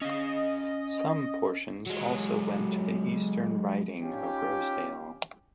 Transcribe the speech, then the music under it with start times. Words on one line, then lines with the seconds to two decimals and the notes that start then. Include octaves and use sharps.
Some portions also went to the eastern riding of Rosedale.
0.01 C#4 D#5 F5
1.87 F#3 G#3
4.01 C#4 D#4 F4 G4